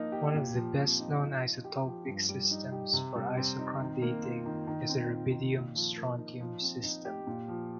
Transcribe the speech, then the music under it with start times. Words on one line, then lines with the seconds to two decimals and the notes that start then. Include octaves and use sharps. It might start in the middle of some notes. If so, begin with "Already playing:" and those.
One of the best known isotopic systems for isochron dating is the rubidium-strontium system.
Already playing: F3 A#3 D#4
0.12 G4
0.34 A#2
0.56 F3
0.77 C4
0.99 D#4
1.21 F3
1.43 D#4
1.64 G4
1.86 F3
2.08 G2
2.29 G3
2.51 D#4
2.72 G4
2.93 C3
3.15 G3
3.37 C4
3.59 D#4
3.80 D#3
4.02 A#3
4.24 F4
4.45 D#3
4.67 D#3
4.89 C4
5.10 F4
5.32 D#3
5.53 A#2
5.75 F3
5.97 A#3
6.18 D#4
6.40 F3
6.61 C4
6.83 D#4
7.05 G4
7.27 A#2
7.48 F3